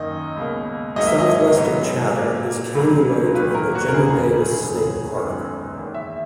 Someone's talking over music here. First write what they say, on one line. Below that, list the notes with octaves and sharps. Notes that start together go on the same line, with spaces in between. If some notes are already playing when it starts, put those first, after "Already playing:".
Southwest of Chatham is Caney Lake and the Jimmie Davis State Park.
Already playing: F#2 D#3 A#3 D#5
C#2 B2 A#3
G#2 F#3 A#3 D#5
E5
D#5
G#2 F#3 B3
A#2 A#3
C#2 C#3 F#3 A#3
E2 D#3 F#3 A#3 B4
A#4
F#4
A#4
C#2 C#3 E3 A#3 G#4
D#2 C#3 F#3
F#2 D#3 G#3 B3
E2 D#3 A#3
E5